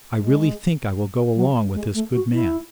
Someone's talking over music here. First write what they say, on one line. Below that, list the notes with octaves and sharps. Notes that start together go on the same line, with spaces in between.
I really think I will go along with this good man.
G#3
F#3
G#3
A3
F#4
E4